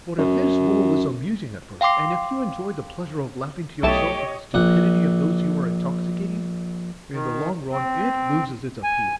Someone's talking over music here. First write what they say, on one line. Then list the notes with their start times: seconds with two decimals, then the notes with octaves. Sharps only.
But if this role is amusing at first and if you enjoy the pleasure of laughing to yourself at the stupidity of those you are intoxicating, in the long run it loses its appeal.
0.18 F#2
1.81 F5 G5 C6 D6 C7
3.83 B1 A3 E4 G4 C#5 D#5 A5 E7
4.54 A#1 F#5
7.12 D#3
7.72 C4
8.84 G#5